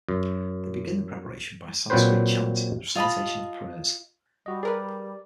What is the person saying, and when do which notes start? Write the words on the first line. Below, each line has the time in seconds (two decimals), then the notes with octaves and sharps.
They begin the preparation by Sanskrit chants and recitation of prayers.
0.09 F#2
1.90 A#2 F#3 C4 B4 C5
2.95 F4 D#5 A5 B5
4.46 G3 F#4 D#5
4.63 G#4 A#4 B4 D5